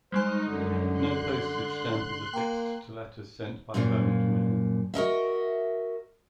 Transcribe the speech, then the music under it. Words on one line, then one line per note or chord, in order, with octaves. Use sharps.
No postage stamp is affixed to letters sent by permit mail.
G3 G#3 D#4 C5 G#5
F#2 D3
C6 F#6
A#3 G5 A#5
F#2 A#2 D3 F3
F#4 A#4 D#5 E5